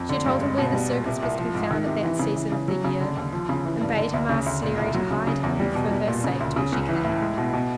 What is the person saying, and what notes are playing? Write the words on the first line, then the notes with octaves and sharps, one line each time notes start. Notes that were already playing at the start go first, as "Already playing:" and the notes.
She told him where the circus was to be found at that season of the year, and bade him ask Sleary to hide him for her sake till she came.
Already playing: F2
D3
G2
G#3
B2
G3
A#2
C3
C2
F3
G#2
D#3
C3
E3
C#3
E3
C#3
F#3
C#3
D3
D#2
F3
C#3
E3
G2
D3
D2
C#3
D2
A#2
C2
F#3
C#3
C#3
E2
G3
B2
G3
A#2
C#3
D2
C#3
C#2
E3
A2
G#3
B2
B2